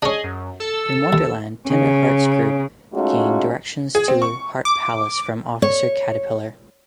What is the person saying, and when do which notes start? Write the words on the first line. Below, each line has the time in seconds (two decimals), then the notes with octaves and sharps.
In Wonderland, Tenderheart's group gain directions to Heart Palace from Officer Caterpillar.
0.02 C#4 D4 G#4 D#5
0.24 F#2
0.60 A4 E6
1.13 D#2
1.67 C#3
2.94 G#3 A3 C#4 D#4 F4 F#4
3.95 G#4
4.08 C4
4.22 C#6
4.65 D6
5.62 C#5